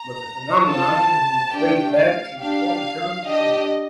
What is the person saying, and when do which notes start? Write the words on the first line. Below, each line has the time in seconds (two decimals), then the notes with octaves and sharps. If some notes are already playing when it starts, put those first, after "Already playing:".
But the phenomenon has been traced back to before the term was coined.
Already playing: A#5
0.65 C4 F4 A4 A5
1.51 A3 D4 G4 G5
1.96 F5
2.38 D4 G4 F5
3.26 D4 G4 D#5